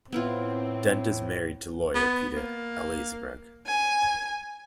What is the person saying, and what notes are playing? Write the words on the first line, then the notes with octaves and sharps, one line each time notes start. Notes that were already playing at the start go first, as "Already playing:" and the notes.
Dent is married to lawyer Peter Eliasberg.
A2 B3 C4 E4 F4
B3
A#3
G#5